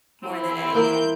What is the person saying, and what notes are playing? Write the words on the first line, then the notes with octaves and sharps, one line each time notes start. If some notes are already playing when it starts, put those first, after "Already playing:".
more than anything.
C4 E4
E3 A#3 E4 G6